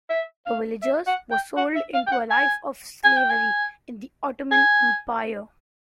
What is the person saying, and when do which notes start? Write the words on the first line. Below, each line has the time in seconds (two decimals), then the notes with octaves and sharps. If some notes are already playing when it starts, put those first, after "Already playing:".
The villagers were sold into a life of slavery in the Ottoman Empire.
0.10 E5
0.46 F5
0.82 E5
1.07 F#5
1.31 G5
1.57 F#5
1.75 E5
1.94 F5
2.07 G5
2.11 F#5
2.31 G#5
3.04 G#5
3.17 G5
3.30 G#5
4.51 G#5